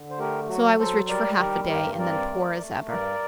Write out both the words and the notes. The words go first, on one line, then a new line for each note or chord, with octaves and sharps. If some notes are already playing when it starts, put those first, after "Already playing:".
"So I was rich for half a day, and then poor as ever."
Already playing: D3
C5
A3 G4 A#4
F#3 F#4
F#3 A4 C5
G3 A#4 D5
D#3 G4 A#4
G2 G4 A#4
C4 A#4 D5
A3
A3
G2 A#4 D5